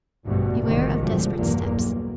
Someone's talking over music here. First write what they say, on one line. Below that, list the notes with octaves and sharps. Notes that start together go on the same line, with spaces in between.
Beware of desperate steps!
A1 D2 G2 B2
A#1 F2 G#2 C3 D#3
G#1 D2 G2 F3 F#3
B1 E2 G2 A#3
B1